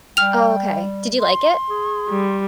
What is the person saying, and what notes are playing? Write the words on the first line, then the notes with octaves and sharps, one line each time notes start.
Oh, okay. Did you like it?
G3 G5 F6 F7
C6
G#4
G3